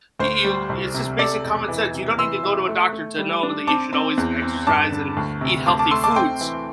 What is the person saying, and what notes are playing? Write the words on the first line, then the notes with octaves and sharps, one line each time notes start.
you you it's just basic common sense, you don't need to go to a doctor to know that you should always exercise and eat healthy foods.
D2 C5
G3
C2
C3
C3 A4 D5
E1
E3
C3
E3 C6 E6
E3
A3
A3
G3
D4
C4 A5 D6
C4
E2
C4
G2 A5 D6
D3
D2
C3
D2 A5 D6
A5 D6
A3 C6 E6
A5 D6
C4 G5 C6
E3